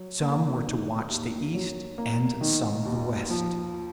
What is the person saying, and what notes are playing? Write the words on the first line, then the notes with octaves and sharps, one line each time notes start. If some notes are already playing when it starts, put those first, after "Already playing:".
Some were to watch the east, and some the west.
Already playing: F#3
A#3
D#3
D#2
F#3
A#3
D#3
D#2
F3